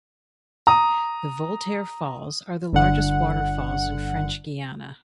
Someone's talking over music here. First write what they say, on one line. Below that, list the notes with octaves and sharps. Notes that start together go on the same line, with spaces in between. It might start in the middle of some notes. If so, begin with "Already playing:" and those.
The Voltaire Falls are the largest waterfalls in French Guiana.
A#5 D#6
G1 D3 F#5